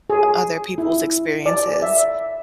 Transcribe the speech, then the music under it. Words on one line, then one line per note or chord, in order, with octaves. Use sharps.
other people's experiences.
G#4
E4
D5
E5